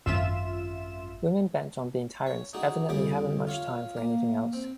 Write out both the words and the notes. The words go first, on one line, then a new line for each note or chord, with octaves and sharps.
Women bent on being tyrants evidently haven't much time for anything else.
G#1 F#2 F4 E5 E7
C#5
D4 D#4 F#4 G#4
F2 D3 G3 G4 G#4 D6
F4 C#5 F5
A#3
C4